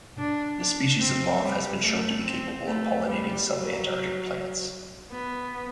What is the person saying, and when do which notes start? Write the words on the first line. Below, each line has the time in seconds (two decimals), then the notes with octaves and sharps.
This species of moth has been shown to be capable of pollinating subantarctic plants.
0.18 D4
0.59 D4
1.00 C4
1.41 G3
1.82 A3
2.23 C4
2.64 A3
3.05 G3
3.47 F#3
5.11 B3